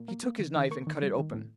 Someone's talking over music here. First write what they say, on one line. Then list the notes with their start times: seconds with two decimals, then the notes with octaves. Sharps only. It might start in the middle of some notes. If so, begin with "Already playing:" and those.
He took his knife and cut it open.
Already playing: A#2
0.08 A#3
0.23 A#3
0.39 D#3
0.56 D#3
0.71 A#3 C#6
0.87 D#3
1.02 G3
1.19 D#3
1.34 A2